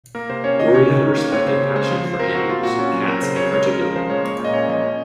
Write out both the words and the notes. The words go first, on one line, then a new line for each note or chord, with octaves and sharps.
Gorey had a respect and passion for animals, cats in particular.
A#3 A#4
C3 C5
C#4 C#5
D#3 D#5
C#4 C#5
D#3
D#3
A#3
C4 C#5
C#3 C5
C#3
G#3 C5
F3
F3
C5
C4 A#4
C4 F#4
A#3 F4
A#2 F#4
C#4 F#4
F#3
C4 A#4
C#3 C5
C#3 C#5
G#3 C#5
C#4 A#4
F3 A#4
F3 C5
G#3 C#5
A#3 C#5
A#2 D#5
C#4 C#5
F3 D#5
C#4